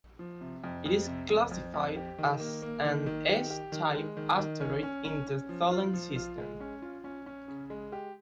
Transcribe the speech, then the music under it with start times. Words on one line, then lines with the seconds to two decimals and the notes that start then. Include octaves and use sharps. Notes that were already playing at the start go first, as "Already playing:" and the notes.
It is classified as an S-type asteroid in the Tholen system.
0.19 F3
0.41 C3
0.64 F2
0.86 F2
1.07 C3
1.29 F2
1.51 F2
1.74 F2
1.96 G4
2.18 D#3
2.40 A#3
2.62 A#3
2.85 D#3
3.06 D#3
3.29 G4
3.50 G4
3.72 D#3
3.95 G#3
4.17 D#3
4.39 D#3
4.60 C#4
4.83 C#4
5.05 C#4
5.27 C#4
5.49 F3
5.71 F4
5.93 F3
6.16 F4
6.38 G#3
6.60 C#4
6.82 F4
7.04 C#4
7.26 C#4
7.48 C#3
7.70 G#3
7.92 G4